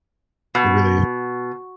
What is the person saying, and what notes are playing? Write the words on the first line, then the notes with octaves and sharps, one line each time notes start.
It really is.
B2